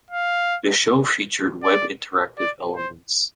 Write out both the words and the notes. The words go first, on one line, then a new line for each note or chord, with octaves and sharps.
The show featured web-interactive elements.
F5
D5
D5
C5